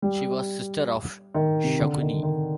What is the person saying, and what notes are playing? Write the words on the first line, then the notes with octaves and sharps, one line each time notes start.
She was sister of Shakuni.
G3
D#3
C3
D3
D#3
D#3